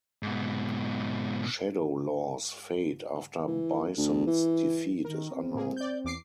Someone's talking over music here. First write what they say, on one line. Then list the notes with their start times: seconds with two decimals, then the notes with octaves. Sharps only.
Shadowlaw's fate after Bison's defeat is unknown.
0.23 G#2 B2
3.47 E3
3.97 D2
4.27 E3
5.05 D#3 A#4
5.33 C4
5.54 A2 A#3 G#4
5.77 D5 G6
6.05 E2 D6 C7